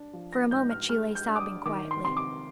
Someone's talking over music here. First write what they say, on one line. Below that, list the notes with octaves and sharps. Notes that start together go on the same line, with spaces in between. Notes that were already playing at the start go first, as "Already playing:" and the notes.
For a moment she lay sobbing quietly.
Already playing: D4
F3
A#6
G#2 G6
F6
G#3 F6
G6
D4
D6
D#6
D#3 D6
C6
C3 C6
D6